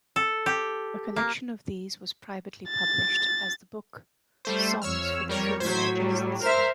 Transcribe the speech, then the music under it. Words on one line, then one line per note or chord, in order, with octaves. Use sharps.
A collection of these was privately published as the book Songs for the Philologists.
A4
G4
A#3
A6
G3 A3 C5
F2 C#5 E6 F6
G3 A#4 C#5
A2 F#3 C5 G#6 B6
G3
A#4 C5 E5 F6